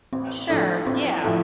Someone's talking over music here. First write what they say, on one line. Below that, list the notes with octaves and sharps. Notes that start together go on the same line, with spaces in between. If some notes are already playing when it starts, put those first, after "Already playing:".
Sure, yeah.
A1 C4
A2 F3 A3 D4
A1 C4
A2 F3 E4